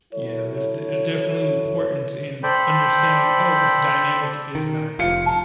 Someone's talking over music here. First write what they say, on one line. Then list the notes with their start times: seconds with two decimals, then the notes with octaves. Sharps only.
Yeah, there's d there's definitely importance in understanding, "Oh, this dynamic is not healthy."
0.13 F#3 E4 A4 C#5
2.43 A4 C5 D5 G5 B5
4.55 D#3
4.99 F1 F4 C#7
5.26 A5 A#5